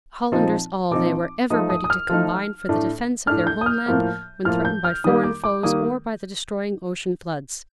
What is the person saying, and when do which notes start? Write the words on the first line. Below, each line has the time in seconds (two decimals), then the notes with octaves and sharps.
Hollanders all, they were ever ready to combine for the defence of their homeland when threatened by foreign foes or by the destroying ocean floods.
0.32 A#2 F3 C4 D#4
0.91 A#2 F3 C4 D#4 D6
1.50 F3 A3 D#4 D#6
1.70 D#6
1.84 D#6
1.90 F6
2.09 F3 A3 D#4
2.69 A2 A3 D4
3.27 A2 A3 D4 F6
3.47 G6
3.61 D#6
3.66 F6
3.86 A2 F3 A#3
4.45 A2 F3 A#3 F6
4.65 G6
4.84 F6
5.04 D#3 G3 A#3 D#6
5.23 D6
5.44 D6
5.63 D#3 G3 A#3 D#6